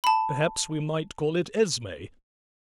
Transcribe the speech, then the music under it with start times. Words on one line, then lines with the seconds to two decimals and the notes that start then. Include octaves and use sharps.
Perhaps we might call it Esme.
0.04 A5 B5